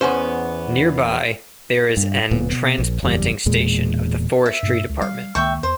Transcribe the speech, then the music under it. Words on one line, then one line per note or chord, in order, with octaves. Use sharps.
Nearby, there is an transplanting station of the Forestry Department.
E2 B3 C#4 C5
G2
D1 A#2 B3
B2
A#1
F#1 E2 G3
E1 E2 A#2 G#3
E5
G2 B2 A#3
C#2
G3 F5
C#2 D#3 A#3 E5 G5 C#6
E2 C5